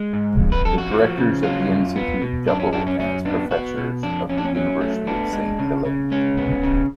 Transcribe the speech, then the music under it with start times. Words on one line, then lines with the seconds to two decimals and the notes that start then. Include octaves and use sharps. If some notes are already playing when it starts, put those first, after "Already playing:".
The directors of the institutes double as professors of the University of Saint Gallen.
Already playing: G#3
0.13 G#2
0.40 F2
0.52 B4
0.65 F2 A4
0.78 F#4
0.91 F3
1.18 C#3
1.43 F#3 F4
1.69 F#2
1.96 B3
2.22 B2
2.47 F#2 D4
2.60 C#4
2.73 F#2 D4
2.87 C#4
2.99 F#2 C#4
3.25 B3 D4
3.51 B3 F#4
3.77 B2
4.03 F2 D4
4.29 F2 C#4
4.37 D4
4.45 C#4
4.55 F#3 C#4
4.81 A3
5.07 B3 D4
5.33 G#3
5.59 C#3
5.85 C#3
6.11 G#3 C#4
6.37 B3
6.64 C#3